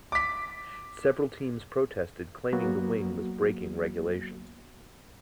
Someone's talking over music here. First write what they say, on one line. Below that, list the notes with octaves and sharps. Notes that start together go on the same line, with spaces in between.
Several teams protested claiming the wing was breaking regulations.
D6 B6
F#3 A#3 B3 F#4